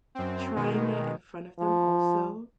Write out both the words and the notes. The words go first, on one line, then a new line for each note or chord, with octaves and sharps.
Trying it in front of them also.
F#2 C4
B2 D#3 G#3
F3